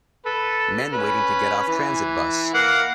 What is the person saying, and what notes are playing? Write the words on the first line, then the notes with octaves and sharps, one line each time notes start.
Men waiting to get off transit buss.
A4 B4
C#4 B4
E3
A#3 F5 F#5